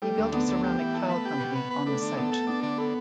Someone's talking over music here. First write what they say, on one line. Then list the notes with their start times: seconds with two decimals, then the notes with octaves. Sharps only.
He built a ceramic tile company on the site.
0.02 G3 A3
0.18 D2
0.33 D3 B3
0.48 D2
0.64 G4
0.79 E3
0.94 A3
1.10 B4
1.25 G4
1.40 B2
1.56 B3
1.71 B4
1.86 A3 D4
2.02 D3
2.17 A3 B3
2.32 A4
2.47 B3 D4
2.63 D3
2.78 B3 A4